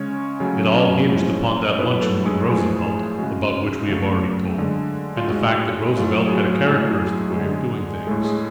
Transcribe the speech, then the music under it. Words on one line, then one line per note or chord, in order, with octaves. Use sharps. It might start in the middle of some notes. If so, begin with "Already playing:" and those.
It all hinged upon that luncheon with Roosevelt, about which we have already told, and the fact that Roosevelt had a characteristic way of doing things.
Already playing: C#3 G#3 C#4 C#5
C#3 F#3 A3
A2 F3 G#3
A2 F#3 A3 B3 B4
A3 A4
G#3 G#4
A2 F3 G#3 A3 G#4
C#3 G#3 F#4
C#3 F#3 A3
D3 G#3
F4
A2 G#3 F#4
A2 F#3 A3 F4
G#4
F#4
A2 F#3 G#3 A3 G#4
D3 G#3
A2 G#3 A3 A4
G#3 G#4